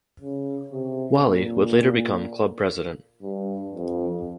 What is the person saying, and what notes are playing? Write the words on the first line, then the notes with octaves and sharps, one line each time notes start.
Whalley would later become club President.
C#3
C3
A#2
G2
F2